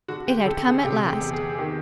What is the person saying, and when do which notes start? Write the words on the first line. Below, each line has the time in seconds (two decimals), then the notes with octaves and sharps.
It had come at last.
0.08 D3 F#4
0.27 G4
0.46 D3 A4
0.64 G#4
0.83 C3 G4
1.08 G#4
1.21 E2
1.33 G#4
1.58 D#3 G4